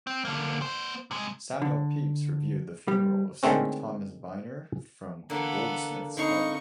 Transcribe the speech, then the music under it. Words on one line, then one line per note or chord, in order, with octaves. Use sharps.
Samuel Pepys viewed the funeral of Sir Thomas Vyner from Goldsmiths' Hall.
C4
D3 A#3
B3 C5
C3 G#3
D3
G3
D3 D#3 G#3 A3 C4 C#4
D3 E3 A#3 B3 A4 A#5
D3 C4 D#4 D#5 F5 B5 C#6